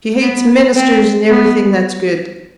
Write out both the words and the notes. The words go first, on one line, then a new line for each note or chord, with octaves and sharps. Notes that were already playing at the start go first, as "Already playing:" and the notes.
She hates ministers and everything that's good.
B3
C4
B3